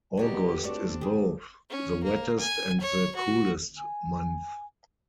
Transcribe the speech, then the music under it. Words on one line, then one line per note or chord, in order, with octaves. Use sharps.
August is both the wettest and the coolest month.
C#2 B2 D3 F#3 D#4 F#4 G4
A3 C4 D4 F#4 D5
A3 G4 G#4
C#4
A#3
G#5
C#5
F#4
G#5